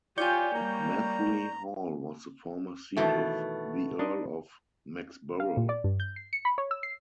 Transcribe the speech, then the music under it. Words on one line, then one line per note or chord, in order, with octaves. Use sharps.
Methley Hall was the former seat of the Earl of Mexborough.
F4 G4 C#5 D5 G#5 C#6 G6
G3 A#3 A#5
B2 D#3 E3 A3 F#4
D4 D#4 D#5
F5
A#2
D5
G2
G6
C7
C#7
B5
C#5
E6
C7